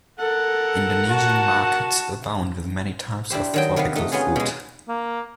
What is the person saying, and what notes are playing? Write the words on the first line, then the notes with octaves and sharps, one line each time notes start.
Indonesian markets abound with many types of tropical fruit.
A4 A#4 F#5
F#4 A5
D4 E4 G4 C5
D#3 F#3 G5
C3 D#3 B3 B4 F5
A3 D#4
B3 C#4 F4 G#4
B2 G#3
A#3